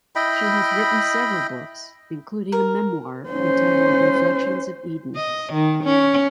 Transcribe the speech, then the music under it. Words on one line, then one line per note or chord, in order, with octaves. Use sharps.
She has written several books, including a memoir entitled "Reflections of Eden".
E4 D#5 G5 B5
A#4
C#4 C5
D#5
D#3
C#4